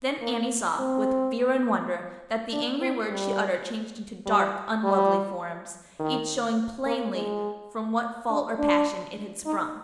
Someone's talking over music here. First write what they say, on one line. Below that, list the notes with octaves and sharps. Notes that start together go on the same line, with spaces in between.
Then Annie saw, with fear and wonder, that the angry words she uttered changed to dark, unlovely forms, each showing plainly from what fault or passion it had sprung.
A#3
C4
D4
C4
G3
G3
G3
D#3
A#3
G#3
D4
D4
D#4